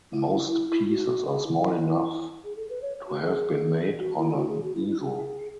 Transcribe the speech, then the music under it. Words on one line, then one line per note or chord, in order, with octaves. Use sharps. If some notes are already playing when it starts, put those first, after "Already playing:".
Most pieces are small enough to have been made on an easel.
E4
E4
E4
E4
F#4
G#4
E4
G#4
A4
B4
C#5
F#4
G#4
F#4
E4
F#4
G#4
F#4
E4
E4
G#4